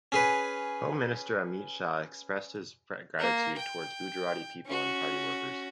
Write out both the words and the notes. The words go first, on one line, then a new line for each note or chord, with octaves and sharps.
Home Minister Amit Shah expressed his gratitude towards Gujarati people and party workers.
C#4 G#4 B4
A#3
G5
C#4 F#4